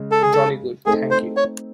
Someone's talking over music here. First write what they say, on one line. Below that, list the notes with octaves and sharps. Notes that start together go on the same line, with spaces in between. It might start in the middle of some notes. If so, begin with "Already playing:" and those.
Jolly good, thank you.
Already playing: C#3 G#3
A4
G#4
A4
A3 C4 D#4 G#4 A4
C5
C#5